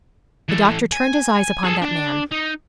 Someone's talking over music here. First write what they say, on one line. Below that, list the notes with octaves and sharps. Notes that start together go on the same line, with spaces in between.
The Doctor turned his eyes upon that man.
E3 A4
G#5
G#4 A4
D4
D#4